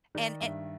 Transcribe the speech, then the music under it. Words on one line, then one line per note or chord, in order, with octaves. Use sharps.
And and
D#3 D5
G2 E5